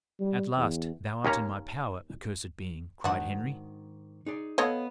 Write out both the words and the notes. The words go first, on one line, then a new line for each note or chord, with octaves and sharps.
"At last, thou art in my power, accursed being!" cried Henry.
G3
E2
D#2 A#3 C#4 A#5
G#2 D#3 D4 F#4
D#4 G#4 D5
B3 A4 C#5 D#5 F5